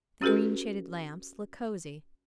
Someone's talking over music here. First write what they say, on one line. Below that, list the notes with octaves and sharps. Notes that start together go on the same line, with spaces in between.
The green shaded lamps look cosy.
C#4 F#4 G4 A4 B4